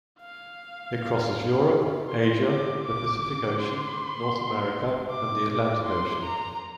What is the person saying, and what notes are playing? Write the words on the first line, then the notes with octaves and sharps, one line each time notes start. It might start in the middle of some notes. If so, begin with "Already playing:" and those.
It crosses Europe, Asia, the Pacific Ocean, North America, and the Atlantic Ocean.
F5
C6
D6
D6
C6
D6
C6
A#5